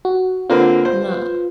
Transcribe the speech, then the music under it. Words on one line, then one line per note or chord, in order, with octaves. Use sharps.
I'm not
F#4
D3 A#3 C4 F4 B4 F5
C5